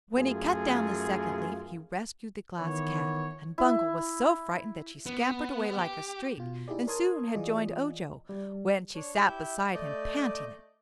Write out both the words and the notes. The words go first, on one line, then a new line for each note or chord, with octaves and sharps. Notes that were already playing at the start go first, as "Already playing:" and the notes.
When he cut down the second leaf he rescued the Glass Cat, and Bungle was so frightened that she scampered away like a streak and soon had joined Ojo, when she sat beside him panting and trembling.
F#2 A3 F4 G#4
D#3 E3 B3 C#5
E4
B3
G4
B2 F4
D#4 E4 G4 G#4 D5
A#4 C#5 A5 C6 D#6 G#6
E3 F4 G#4 D5 D#5
G3
D4 C#5
E4 G4 E5 G6
A3 D5 D#5 G6